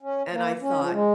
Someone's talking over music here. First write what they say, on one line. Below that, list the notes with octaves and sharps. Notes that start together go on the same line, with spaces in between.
And I thought,
C#4
A#3
C#4
F3
G#3